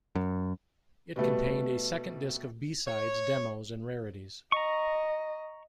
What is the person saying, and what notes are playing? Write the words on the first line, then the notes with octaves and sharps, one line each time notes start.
It contained a second disc of B-sides, demos and rarities.
F#2
B2 G3 A3 B3
C#5
D#5 A#5 C#6